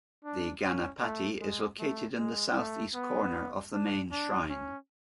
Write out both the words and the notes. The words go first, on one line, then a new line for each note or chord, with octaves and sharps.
The Ganapati is located in the south east corner of the main shrine.
D4
C#4
A3
G#3
A3
G#3
A3
B3
D4
D4
C#4